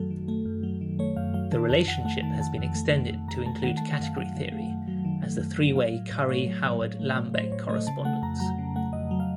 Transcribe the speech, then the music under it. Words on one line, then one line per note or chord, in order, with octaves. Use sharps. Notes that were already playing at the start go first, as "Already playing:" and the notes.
The relationship has been extended to include category theory as the three-way Curry-Howard-Lambek correspondence.
Already playing: F#2 D#3 F#3 A3 F#4 A4
D#3
A3
F#2
F#3
D#3
A3 C#5
F#2 F5
F#3 F5
D#3 A5
F2 A5
F2 F#5
A3 F#5
D#3 A5
F2 A5
F2
A3
D#3
F2
F2 A#5
A3 A5
D#3 F#5
A3 A5
F#5
F#2 F5
F#3 F#5
D#3
A3
F#2
F#3
D#3
A3
F#2
F#3
F#3 F5
A2
A2
A3 C#5
F#3
A2
A2
A3
F#3
A2 C5
A2 C#5
A3 D#5
C#3 A5
A3 F#5
F2 A#5
F#3 A#5
C#3
A3 F#5
F2 D#5
F#3
F5